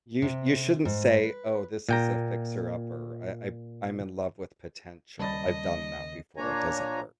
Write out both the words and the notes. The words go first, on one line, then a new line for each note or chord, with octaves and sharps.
You you shouldn't say, "Oh, this is a fixer-upper, I I I'm in love with potential." I've done that before. It doesn't work.
C3
G#2
B4
A#2 G5 A#5
D#2 C#3 G3 D#5 A5 B5 A6
A#2 A#3 D4 C#5 G#5 A#5